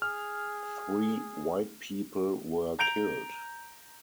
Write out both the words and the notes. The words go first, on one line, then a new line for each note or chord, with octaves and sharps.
Three white people were killed.
G#4 F6
A#5 G6 D7 F7